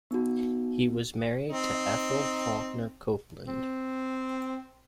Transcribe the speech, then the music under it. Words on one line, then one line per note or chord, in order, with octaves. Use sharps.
He was married to Ethel Faulkner Copeland.
B3 D#4 F#4
C4 D#4
C4